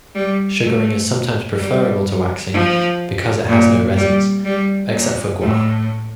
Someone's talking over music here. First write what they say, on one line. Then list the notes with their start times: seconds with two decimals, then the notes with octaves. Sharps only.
Sugaring is sometimes preferable to waxing because it has no resins, except for guar.
0.15 G3
0.63 A3
1.59 G3
2.54 F3
3.49 A#2
3.97 G3
4.45 G3
4.93 A#2
5.40 A2